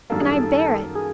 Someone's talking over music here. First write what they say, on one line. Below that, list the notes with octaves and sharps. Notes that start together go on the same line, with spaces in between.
And I bear it!
F#2 D#3 G3 A#3 A4
G#4
A4
G#4